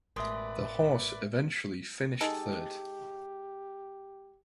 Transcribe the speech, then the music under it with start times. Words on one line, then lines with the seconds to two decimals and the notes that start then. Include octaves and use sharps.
The horse eventually finished third.
0.16 A1 B2 G#3 G4 A#4 B4 D5 E5
2.21 G#3 D#4 G4 A4